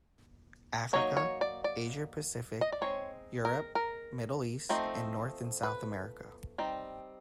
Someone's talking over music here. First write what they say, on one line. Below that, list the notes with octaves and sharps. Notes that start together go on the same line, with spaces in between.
Africa, Asia-Pacific, Europe, Middle East and North and South America.
F#3 A#3 D#4 C#5
C#5
D5
D5
D#5
D5
G#3 C4 D#4 C#5
A#4
A#4
F3 A3 C4 D#4
B4
G3 C4 D#4